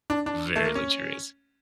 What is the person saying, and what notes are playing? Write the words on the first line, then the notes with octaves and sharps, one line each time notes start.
Very luxurious.
D4
D4
A3
A#3
C#4